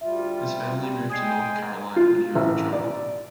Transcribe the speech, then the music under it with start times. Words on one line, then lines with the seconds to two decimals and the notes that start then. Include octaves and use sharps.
His family moved to North Carolina when he was a child.
0.01 D2 G3 F4 E5
0.75 G3
1.10 G#3 G5 G#5 D#6 G#6 C7
1.28 G6
1.96 F4
2.35 A1
2.73 D5